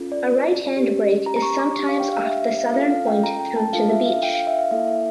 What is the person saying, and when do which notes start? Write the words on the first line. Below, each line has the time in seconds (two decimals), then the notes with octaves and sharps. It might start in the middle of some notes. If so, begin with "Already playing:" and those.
A right hand break is sometimes off the southern point through to the beach.
Already playing: C#4 F4 A4
0.12 D5
0.77 C#4 G4
1.26 A#5
1.36 A#5
1.42 C#6
1.59 D6
1.76 D4 G4 C#6
1.89 F5
2.00 G5
2.13 F5
2.25 E5
2.42 E5
2.58 F5
2.74 C#4 F4 A4 F5
2.91 F5
3.07 G5
3.24 A#5
3.40 G5
3.56 A5
3.73 D4 F4 A4 F5
3.89 E5
4.06 F5
4.23 G5
4.34 F5
4.47 E5
4.59 F5
4.71 A#3 E4 A4 E5
4.87 E5